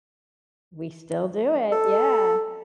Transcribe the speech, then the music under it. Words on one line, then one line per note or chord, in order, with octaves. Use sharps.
we still do it, yeah.
A4